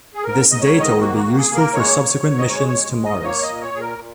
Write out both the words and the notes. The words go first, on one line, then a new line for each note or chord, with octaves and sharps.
This data would be useful for subsequent missions to Mars.
G#4
G#2 A#4
G#2 D#5
C#5
D#3
D#5
A#3 F#4
F#4
A#3
G#4
A#3
A#4
G#3 C#5
G#2
G#2
D#5
G#3 C#5
C#5
G#3
G#2
D#5
A#3 C#5
D#5
A#2
C#5
A#2 G#4
A#4
A#2